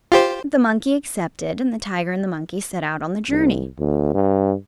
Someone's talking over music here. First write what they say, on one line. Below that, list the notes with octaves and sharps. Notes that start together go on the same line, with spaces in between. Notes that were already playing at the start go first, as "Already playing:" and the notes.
The monkey accepted, and the tiger and the monkey set out on the journey.
F4 G4 C5
C2
D2
G2